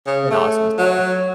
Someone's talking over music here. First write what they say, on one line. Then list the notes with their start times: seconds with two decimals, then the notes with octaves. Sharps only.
an awesome skill.
0.06 C#3
0.31 A3
0.78 F#3